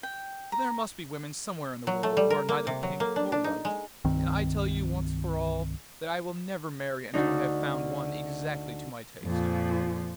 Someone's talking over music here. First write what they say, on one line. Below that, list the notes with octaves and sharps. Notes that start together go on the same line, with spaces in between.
But there must be women somewhere in the world who are neither pink nor white, and I tell you, once for all, that I will never marry until I have found one exactly to my taste.'
G5
A#5
F#3
A3
G3
A#4
A#3
C3
F#3
A#3
D4
D4
D#4
G#3
C2 G2 D#3 C4
D2 D4 D#4
F2 A#2 F3